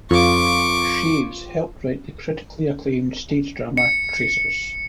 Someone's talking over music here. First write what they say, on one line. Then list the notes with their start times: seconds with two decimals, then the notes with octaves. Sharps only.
Chaves helped write the critically acclaimed stage drama "Tracers".
0.11 F2 F4 C#6 D6
3.77 C#7